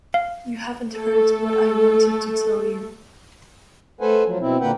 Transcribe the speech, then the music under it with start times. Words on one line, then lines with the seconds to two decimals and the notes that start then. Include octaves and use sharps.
You haven't heard what I wanted to tell you.
0.14 F5
0.94 A3 A4
4.01 A3 A4 B4 C5 F#5 G#5
4.24 F3 F#3
4.40 B2 C4 E4
4.61 A#2 D3 A#3 B4 F#5 G5